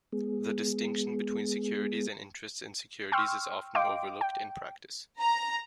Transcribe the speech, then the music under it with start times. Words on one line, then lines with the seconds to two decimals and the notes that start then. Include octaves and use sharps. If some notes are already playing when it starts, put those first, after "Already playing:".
The distinction between securities and interests in securities is often overlooked in practice.
0.13 G#3 B3 G#4
3.12 G5 C6 C#6 E6 F6
3.75 D#5 F5 G5 C6 D6 D7
4.21 G5
5.20 A#5